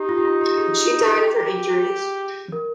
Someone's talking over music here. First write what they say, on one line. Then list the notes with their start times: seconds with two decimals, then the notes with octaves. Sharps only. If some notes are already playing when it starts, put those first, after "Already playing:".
She died of her injuries.
Already playing: D#4 G4
0.09 F4
0.18 G4
0.25 F4
0.41 G4
0.58 G#4
1.23 G4
2.52 A#4